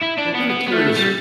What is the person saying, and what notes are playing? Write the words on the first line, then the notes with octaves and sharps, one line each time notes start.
I'm kinda curious.
E4
D4
B3
B3
B3
A3
G3